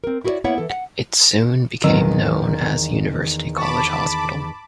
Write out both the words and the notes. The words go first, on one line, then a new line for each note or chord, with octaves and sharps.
It soon became known as University College Hospital.
C4 A#4
E4 F#4 G#4 A#4 C#5 D5
A#3 B3 E4 C#5 E5 F#5
E3 A4
F#5
G#1 E2 G2 D#3 F#3
A5 B5 C#6 D6